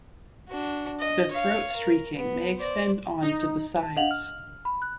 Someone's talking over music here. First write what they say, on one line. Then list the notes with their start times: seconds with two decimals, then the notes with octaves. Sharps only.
The throat streaking may extend on to the sides.
0.48 D4 F#4
1.00 D#5
1.31 C#5 F5
1.76 A#4
2.16 B3
2.57 C5 D5
3.22 D#4
3.83 A5
3.96 D4 D#5 F5 F#5 F7 F#7
4.11 F6
4.65 B5
4.82 F#6